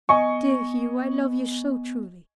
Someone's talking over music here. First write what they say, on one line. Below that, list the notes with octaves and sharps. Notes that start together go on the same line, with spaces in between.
"Dear Hugh, I love you so truly!"
B3 D#5 G#5 C#6